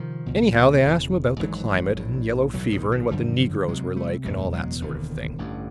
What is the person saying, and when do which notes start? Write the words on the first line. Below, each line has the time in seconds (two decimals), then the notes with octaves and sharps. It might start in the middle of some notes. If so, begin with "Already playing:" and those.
Anyhow, they asked him about the climate, and yellow fever and what the negroes were like and all that sort of thing.
Already playing: C3 D#3 F3
0.26 C#2 B2
0.83 E1 E2 C#3
1.40 G#1 G#2 E3 F#3
1.96 A#1 A2
2.53 B1 A2 E3 F#3
2.72 D#3
2.92 D#3
3.10 G#1 F#2 D3 F3 G3
3.68 D2 C3 F#3 G#3
3.96 G3 A3
4.25 F#1 E2 B2 G3 A3
4.53 F#3 G#3
4.81 E1 D#2 D3 D#3
5.38 A1 G2 D3